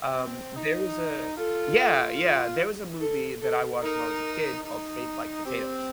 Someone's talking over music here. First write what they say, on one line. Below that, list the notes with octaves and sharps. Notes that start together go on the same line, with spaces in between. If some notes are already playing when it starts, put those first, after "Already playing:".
Um, there was a Yeah yeah, there was a movie that I watched when I was a kid called Faith Like Potatoes,
C4
D#4
F4 A4
F4
A4
A4
D#4 A#4
D#4
C4 G4